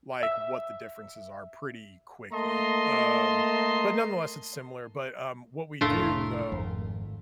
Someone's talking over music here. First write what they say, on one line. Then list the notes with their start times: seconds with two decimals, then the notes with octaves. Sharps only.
like, what the differences are pretty quickly, um, but nonetheless, it's similar. But, um, what we do, though,
0.23 E5
2.32 A3 A#3 D#5 A5 A#5 C6
5.81 F1 A2 A3 D4 F4 A#4
6.52 G#1 F2